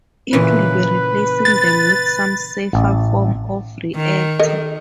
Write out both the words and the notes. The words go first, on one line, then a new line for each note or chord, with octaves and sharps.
It will be replacing them with some safer form of reactor.
A#2 C#3 E3 B4
A6
A1
D#3
A4 A#4 D#5